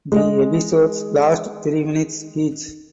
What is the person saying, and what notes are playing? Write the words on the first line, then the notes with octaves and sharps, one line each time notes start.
The episodes last three minutes each.
G#3 G#4 D#5